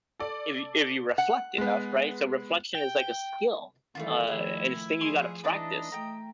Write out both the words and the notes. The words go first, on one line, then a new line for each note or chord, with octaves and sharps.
if you if you reflect enough, right? So, reflection is like a skill, uh, and it's a thing you gotta practice,
A4 D5
F#5
G#3 B3
G5
D#3 E3 G3 A3 E4 F4
D#3 F3 A3 E4 G#4
F3 G#4 G#5 C6 C#6
E3 D4 D#4 B4 D#5
A3 G5 A#5